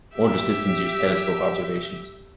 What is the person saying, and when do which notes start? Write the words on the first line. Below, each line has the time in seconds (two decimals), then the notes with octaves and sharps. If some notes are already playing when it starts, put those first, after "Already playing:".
Older systems use telescope observations.
0.14 G4 E5